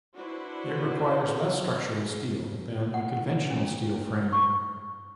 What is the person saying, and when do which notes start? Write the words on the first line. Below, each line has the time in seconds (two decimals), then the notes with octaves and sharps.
It requires less structural steel than a conventional steel frame.
0.16 D4 E4 F#4 B4 C5
2.94 F#5
3.50 C#4
4.33 C#6